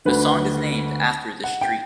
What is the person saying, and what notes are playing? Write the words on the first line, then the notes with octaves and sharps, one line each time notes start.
The song is named after this street.
D2 D3 B4
F#5
G5